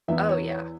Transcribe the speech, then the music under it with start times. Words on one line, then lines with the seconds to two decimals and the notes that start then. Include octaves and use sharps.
Oh, yeah.
0.08 E2 E3 B3 E4 E5
0.29 C#5
0.49 C#5